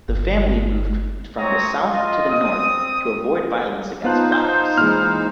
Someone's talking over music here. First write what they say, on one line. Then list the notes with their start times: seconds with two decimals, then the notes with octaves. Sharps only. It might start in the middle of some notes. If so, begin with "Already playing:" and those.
The family moved from the South to the North to avoid violence against blacks.
0.08 G1
1.36 C4 C#5 A#5 D#6
1.83 F4 D#5
2.29 C4 D#6
4.04 B3 D#4 F4 C5 A5 F#6
4.32 G6
4.78 A#2 E3 G#3 F6